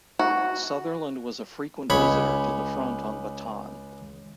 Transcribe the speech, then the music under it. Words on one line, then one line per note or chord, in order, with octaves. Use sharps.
Sutherland was a frequent visitor to the front on Bataan.
F#4
C#2 C#5 B5